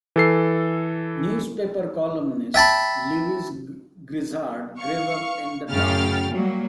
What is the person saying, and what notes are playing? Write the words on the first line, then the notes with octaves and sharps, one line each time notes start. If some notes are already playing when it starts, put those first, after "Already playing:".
Newspaper columnist Lewis Grizzard grew up in the town.
E3 A4 C7
E5 G5 A5 B5
F5 C#6
F#2 A2 C#3 G5 F6 A6
F#3 G3 A#3